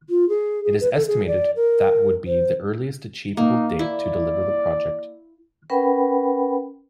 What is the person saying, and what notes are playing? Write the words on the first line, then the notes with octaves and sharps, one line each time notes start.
It is estimated that would be the earliest achievable date to deliver the project.
F4
G#4
G#4
B4
A4
G#4
D5
A#4
C5
A#3 D#4
E4 D5
C#4 A#4 B4 F#5 G5 B5